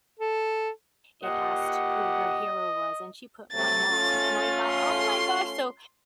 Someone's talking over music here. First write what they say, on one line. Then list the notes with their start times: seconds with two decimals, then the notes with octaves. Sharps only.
it asked who her hero was, and she put "My mom," and I thought, "Oh my gosh." So
0.19 A4
1.24 A#2 G4 D#5 F#5
3.53 C3 F#3 A3 A6
3.89 A3 C#4 F4
4.65 C6